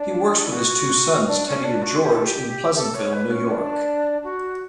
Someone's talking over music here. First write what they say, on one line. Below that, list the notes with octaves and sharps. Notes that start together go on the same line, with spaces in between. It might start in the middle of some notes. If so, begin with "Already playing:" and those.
He works with his two sons Teddy and George in Pleasantville, New York.
Already playing: D4
E4
F#4
D4
C#4
D4
F#4
G4
A4
G4
A4
C#5
B4
C#4
D4
F#4